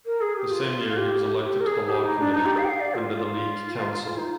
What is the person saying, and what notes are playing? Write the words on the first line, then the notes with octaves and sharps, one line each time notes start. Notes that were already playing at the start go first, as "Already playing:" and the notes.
The same year he was elected to the Law committee under the League council.
A#4
G#4
G4
F4
G4
G4
A#4
G#4
G4
D#4
D4
D#4
G4
F5
G5
F5
D5
F4
F4
D#4